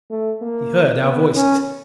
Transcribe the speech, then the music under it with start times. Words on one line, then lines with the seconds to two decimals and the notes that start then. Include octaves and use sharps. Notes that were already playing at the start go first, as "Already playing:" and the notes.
He heard our voices.
0.10 A3
0.41 A#3
1.03 B3
1.35 C#4